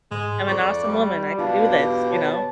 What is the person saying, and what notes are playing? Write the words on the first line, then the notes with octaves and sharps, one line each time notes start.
am an awesome woman, I can do this," you know?
G#2 G#3
F2 D5 C#6
G3
B2 D4 F4 F5
G4
C#5 A5